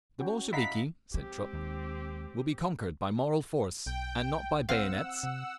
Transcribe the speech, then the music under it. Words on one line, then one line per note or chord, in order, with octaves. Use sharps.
"The Bolsheviki," said Trupp, "will be conquered by moral force, and not by bayonets....."
C#4 F#4 G5
E4 D#5 F5 F#5 A#5 B5 B6
G#3 C4 G4
D#2
B1 G5
C4 F5 F#5 E6
C3